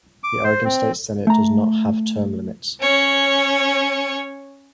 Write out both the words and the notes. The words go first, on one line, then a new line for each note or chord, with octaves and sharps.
The Oregon State Senate does not have term limits.
D6
C5
C4
A3 A#5
C#4 C#5